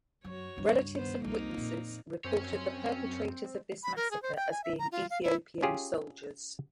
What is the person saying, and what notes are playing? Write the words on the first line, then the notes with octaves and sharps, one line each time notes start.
Relatives and witnesses reported the perpetrators of this massacre as being Ethiopian soldiers.
F#2 F#4 C#5
C#2 G2
D#3 B3 C5
C2 F2 A#3 D#4
A#2
F#2 C4 C#4 C#5
B5
A#4
G#4
C5
G5
G#5
E5
A#5
F4
F5
E4
C#4 F4 G4 G#4